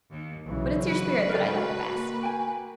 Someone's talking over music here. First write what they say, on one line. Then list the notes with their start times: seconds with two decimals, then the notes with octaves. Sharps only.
But it's your spirit that I like best.
0.11 D#2
0.45 B1 C#3 E3 F#3
0.86 F#4 B4
1.29 C#3 A4 A#4
1.91 A#3
2.23 G5 G#5